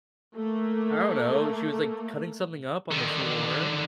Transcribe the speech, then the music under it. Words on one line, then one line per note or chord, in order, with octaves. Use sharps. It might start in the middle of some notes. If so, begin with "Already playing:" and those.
I don't know, she was, like, cutting something up on the floor,
A3 A#3
D3 D#3